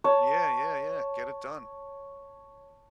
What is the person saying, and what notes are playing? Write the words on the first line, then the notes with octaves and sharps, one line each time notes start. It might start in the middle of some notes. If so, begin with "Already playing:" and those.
Yeah, yeah, yeah, get it done.
C#5 A5